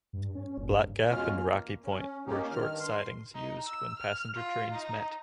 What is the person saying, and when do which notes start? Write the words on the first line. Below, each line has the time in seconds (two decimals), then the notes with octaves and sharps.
Black Gap and Rocky Point were short sidings used when passenger trains met.
0.13 G2
0.35 C#4
0.58 F#1
0.69 G2
1.10 E2 B2 G#3 C#4 F4 F6
1.35 A#3
1.84 C#4
2.27 A#3 C#4 D#4 G4
2.50 G2 D#3 F6
2.80 C6
3.35 D#4
3.67 E6
3.99 F6
4.35 F4
4.72 D#4